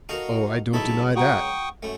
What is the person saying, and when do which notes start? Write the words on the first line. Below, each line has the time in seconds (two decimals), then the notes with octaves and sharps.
"Oh, I don't deny that."
0.09 D#4 F#4 A4 A#4 F5
0.73 C#2 F#3 D#4 E4 A4 E5 A5 B5
1.16 F#4 F#5 G5 A#5 C#6 D#6
1.83 F#2 A3